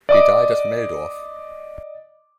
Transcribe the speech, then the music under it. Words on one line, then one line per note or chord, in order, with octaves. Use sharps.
He died at Meldorf.
D5 D#5 D6